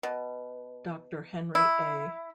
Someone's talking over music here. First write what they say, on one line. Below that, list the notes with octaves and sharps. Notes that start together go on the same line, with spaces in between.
Doctor Henry A.
B2
E4